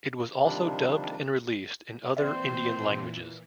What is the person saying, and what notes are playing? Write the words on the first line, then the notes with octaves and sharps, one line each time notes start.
It was also dubbed and released in other Indian languages.
C3 D#3 F3 G3 D4
A#2 E3 C4 C5 D5 E5